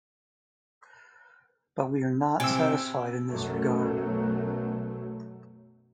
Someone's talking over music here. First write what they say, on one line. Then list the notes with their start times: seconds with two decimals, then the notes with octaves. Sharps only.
But we are not satisfied in this regard.
2.40 C3 E4 G5 G#5 E6
3.29 B1 F#2 B2 F#3 A3